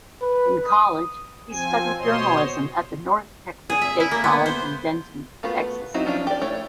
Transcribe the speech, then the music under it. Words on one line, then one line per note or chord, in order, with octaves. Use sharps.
In college, he studied journalism at the North Texas State College in Denton, Texas.
B4
D#6
F3 C4 G#5
B2 C5 C#5 D#5 C6
G#4
E5
E4
A#3
B3
C5
A3 B3 F4 F#4 B4
F#3 C4 D#4 E4 F#4
F3 C#4 D4 F4
G4 D5
A3 E4 C#5 D5